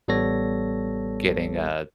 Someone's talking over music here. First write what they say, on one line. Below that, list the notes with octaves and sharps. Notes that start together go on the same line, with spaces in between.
getting a,
A1 G3 B3 A4 C#5 A#6